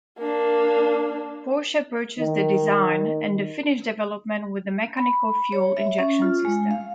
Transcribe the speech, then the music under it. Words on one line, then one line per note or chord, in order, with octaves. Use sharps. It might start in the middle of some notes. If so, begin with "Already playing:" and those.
Porsche purchased the design and the finished development with a mechanical fuel injection system.
A#3 D4
D#3 D#4
B5
C#5
E5
C#4
F4
G#3
F5